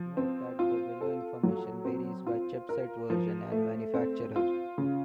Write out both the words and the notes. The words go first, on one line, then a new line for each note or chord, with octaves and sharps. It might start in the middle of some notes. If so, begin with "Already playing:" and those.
Note that the below information varies by chipset version and manufacturer.
Already playing: F3
C4
F4
A4
F#3
C4
F4
A#4
F3
A3
C4
F4
C#3